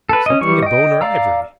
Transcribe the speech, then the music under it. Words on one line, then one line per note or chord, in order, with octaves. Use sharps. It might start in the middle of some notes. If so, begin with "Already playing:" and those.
"Something in bone or ivory."
A4 B4
C#4 D#5
E3 G3 C#6
D#5 G5
D5 F5 A#5 E6